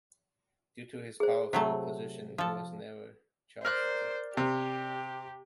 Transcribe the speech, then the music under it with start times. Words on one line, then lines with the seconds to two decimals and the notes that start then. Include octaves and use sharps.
Due to his powerful position, he was never charged.
1.20 G#4 C5
1.53 C3 F#3 A3 C5
2.38 F3 A4
3.65 A#4 C5 D5 F#6
4.37 C3 G4